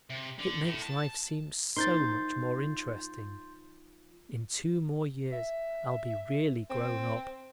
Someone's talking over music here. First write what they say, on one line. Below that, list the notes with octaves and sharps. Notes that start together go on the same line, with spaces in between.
It makes life seem so much more interesting. In two more years I'll be really grown up.
C3
D3
A2
A5
F3 D#4 A#4 C6 G6 A6
E5
C4